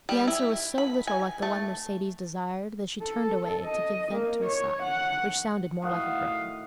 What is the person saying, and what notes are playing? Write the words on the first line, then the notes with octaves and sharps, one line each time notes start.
The answer was so little like the one Mercedes desired, that she turned away to give vent to a sigh, which sounded more like a groan.
G3
E4
B5
G#5
A3
A4
D#5
A#3
C#5
F#5
A2 D#3 F#3 F5 F#5 D#6